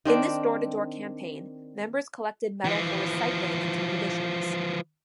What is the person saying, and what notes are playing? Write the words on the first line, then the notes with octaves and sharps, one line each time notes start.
In this door to door campaign, members collected metal for recycling into munitions.
D#3 C4 D4
E3 F3